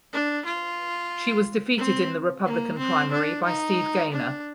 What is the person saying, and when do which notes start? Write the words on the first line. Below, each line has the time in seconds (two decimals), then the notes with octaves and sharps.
She was defeated in the Republican primary by Steve Gaynor.
0.13 D4
0.45 F4
1.78 C4
2.45 A#3
2.78 C4
3.12 D4
3.45 D#4
4.12 D4